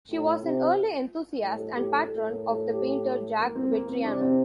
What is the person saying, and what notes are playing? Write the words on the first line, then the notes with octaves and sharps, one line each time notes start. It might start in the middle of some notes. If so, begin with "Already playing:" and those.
She was an early enthusiast and patron of the painter Jack Vettriano.
A2 F4
C3
A2
A4
A2 G4
A4
A2 A4
A#4
A4
G4
A#3
C4
A#3
C4
C3 D4
C4